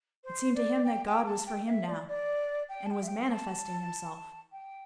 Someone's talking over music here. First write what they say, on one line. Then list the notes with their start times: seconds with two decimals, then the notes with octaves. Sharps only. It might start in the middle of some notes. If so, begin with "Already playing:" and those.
It seemed to him that God was for him now, and was manifesting Himself.
0.23 C5
0.54 D5
0.84 G5
1.05 G5
1.25 A5
1.46 G5
1.66 E5
1.87 D5
2.07 D5
2.68 G5
2.85 A5
2.90 G5
3.02 E5
3.07 G5
3.29 A5
4.51 G5